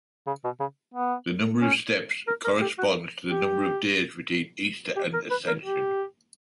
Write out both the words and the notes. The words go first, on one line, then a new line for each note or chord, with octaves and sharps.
The number of steps corresponds to the number of days between Easter and Ascension.
C#3
B2
C#3
B3
C#4
A#4
A#4
G4
F#4
G4
G4
A#4
B4
A#4
G4